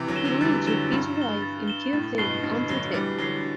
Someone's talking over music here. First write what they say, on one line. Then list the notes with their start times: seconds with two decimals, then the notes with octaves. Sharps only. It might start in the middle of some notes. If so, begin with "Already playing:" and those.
He lives with his wife in Kirchheim unter Teck.
Already playing: C3 E3
0.08 D3 F#3
0.16 E7 G7
0.24 D3 F#3
0.41 E3 G3 A6
0.66 D3 F#3 E7 G7
0.92 G2 A6
1.17 E7 G7
1.43 A6
1.68 E7 G7
1.93 A2 A6
2.18 G2 B2 C7 G7
2.43 B2 D3 A6
2.69 D3 F#3 C7 G7
2.94 E3 G3 A6
3.18 D3 F#3 C7 G7